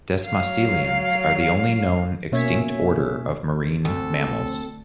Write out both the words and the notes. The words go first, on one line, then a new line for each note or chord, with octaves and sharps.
Desmostylians are the only known extinct order of marine mammals.
F#3 F5
B2 A#3 C#4 C#5 E5
D2 C4 A4